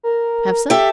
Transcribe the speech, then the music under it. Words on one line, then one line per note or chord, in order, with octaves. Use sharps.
Have some?'
A#4
G4 A4 E5